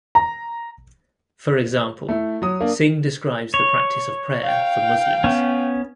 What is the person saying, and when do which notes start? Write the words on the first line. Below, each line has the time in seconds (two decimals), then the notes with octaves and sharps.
For example, Singh describes the practice of prayer for Muslims.
0.15 A#5
2.09 A3 E4
2.42 F#3 D#6
2.61 A#3 D4
3.54 C#5
4.43 F5 G5
5.24 B3 C#4